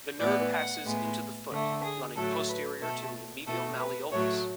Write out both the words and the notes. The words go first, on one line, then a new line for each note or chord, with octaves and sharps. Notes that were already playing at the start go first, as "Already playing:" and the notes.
The nerve passes into the foot running posterior to the medial malleolus.
A2 E3 B3 D5
F#5
A2 G#3 B3
D3 A3
G#4
A2 F#3 A3 A4
B4
B2 A3 A4
B2 A3 A4
B4
A2 F#3 A3 C#5